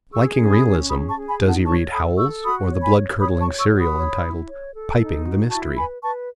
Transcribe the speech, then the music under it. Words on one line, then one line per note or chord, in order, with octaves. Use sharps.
Liking realism, does he read Howells or the blood-curdling serial entitled "Piping the Mystery"?
G#4 C#6 E6
C#4
B5 D#6
C#4
G#4 B5 D#6
A5 C#6
G#4
G#5 B5
D#4
F#5 A5
C#5 A5 C#6
A4 B5 D#6
A4 C#6 E6
F#4 B5 D#6
C#5
G#5 B5
C#5
C#5 B5 D#6
A5 C#6
C#5
C#6 E6
F#4
B5 D#6
C#5
E4
C#5
A4
D#4
F#4
E4 A5 C#6
B4 G#5 B5
B4 A5 C#6